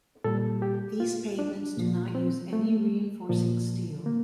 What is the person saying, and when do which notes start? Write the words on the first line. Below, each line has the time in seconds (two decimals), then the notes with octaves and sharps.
These pavements do not use any reinforcing steel.
0.24 A#2 G3 A4
0.62 G4
1.00 F4
1.39 D4
1.77 A#2 F3 A#3
2.15 C4
2.53 A3
3.29 A#2 F3
4.06 A#3